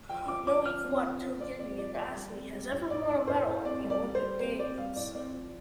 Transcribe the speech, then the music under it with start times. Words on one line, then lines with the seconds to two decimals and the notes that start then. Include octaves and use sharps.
No Equatoguinean athlete has ever won a medal at the Olympic Games.
0.09 F3 G5
0.28 F3 D6
0.47 F3 D6
0.65 F3 F6
0.84 C4
1.03 F3
1.22 F3
1.40 C4 D5
1.59 F3 D5
1.78 F3 D5
1.96 F3 D5
2.15 G3
2.34 C4
2.53 G3
2.71 A2
2.90 A2 D5
3.08 A2
3.27 A2 C5
3.46 A2
3.65 C4 D5
3.84 G3
3.90 D5
4.03 G3
4.15 C5
4.21 G3
4.40 C4 C5
4.59 C4 D5
4.78 G3 F5
4.96 A2 D5
5.15 C4 D5
5.34 F3